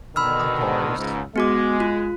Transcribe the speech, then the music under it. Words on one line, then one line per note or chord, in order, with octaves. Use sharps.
Of course.
B2 D3 D#3 B5 E6 F6
C#2 G#2
G#3 B3 F#4 D6
F4